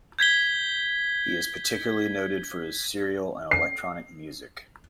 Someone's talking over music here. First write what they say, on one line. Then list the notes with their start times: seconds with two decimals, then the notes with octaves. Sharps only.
He is particularly noted for his serial and electronic music.
0.19 G6 G#6 B6 G7
3.51 C7